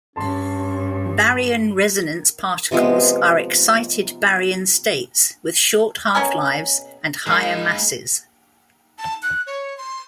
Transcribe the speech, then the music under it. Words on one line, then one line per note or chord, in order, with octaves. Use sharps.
Baryon resonance particles are excited baryon states with short half lives and higher masses.
G2 C#4 A5 C6
C3 F3 G#3 B3
B2 C#4 A#4 G#5
G#3 A#3 D#4 A#4 B5
A5
F#6
C#5
C6